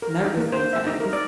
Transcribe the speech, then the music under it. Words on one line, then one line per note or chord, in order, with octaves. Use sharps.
nervous sometimes.
A#4
D#4
A#3
C5
E5
D#4
A#4
D5